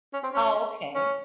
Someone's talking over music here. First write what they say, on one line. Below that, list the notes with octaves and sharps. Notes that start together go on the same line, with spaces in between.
Oh, okay.
C#4
C4
C#4
C#4